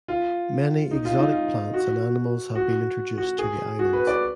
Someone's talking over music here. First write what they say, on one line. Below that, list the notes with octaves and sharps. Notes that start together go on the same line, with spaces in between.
Many exotic plants and animals have been introduced to the islands.
F4
D#4
F4
D#4
F4
F#4
F#4
F#4
G#4
F#4
B4
D5